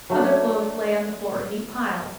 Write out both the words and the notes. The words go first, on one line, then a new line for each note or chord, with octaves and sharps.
Other clothes lay on the floor in neat piles.
F#3 A3 D4